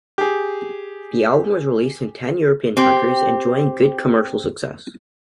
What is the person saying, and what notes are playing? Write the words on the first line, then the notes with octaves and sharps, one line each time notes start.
This album was released in ten European countries enjoying good commercial success.
G4 G#4
C4 G4